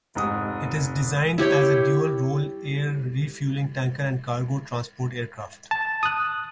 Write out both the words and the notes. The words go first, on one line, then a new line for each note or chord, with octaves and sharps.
It is designed as a dual-role air refueling tanker and cargo transport aircraft.
F1 G#2 D#6
E4 G4 C#5 G5
A5
D#6 F#6